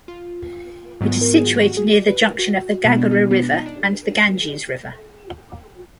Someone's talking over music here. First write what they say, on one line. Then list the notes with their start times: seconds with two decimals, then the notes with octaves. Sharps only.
It is situated near the junction of the Ghaghara River and the Ganges River.
0.08 F4
1.01 G#2 D#3 F#3 B3
1.21 A#4
1.34 G#4
1.47 F#4
1.62 F#4
1.77 G#4
1.93 D5
2.08 B4
2.23 A#4
2.39 F#4
2.85 B2 G#3 B3 D#4
2.98 D4
3.11 D#4
3.31 B3
3.42 D4
3.54 D#4
3.66 D4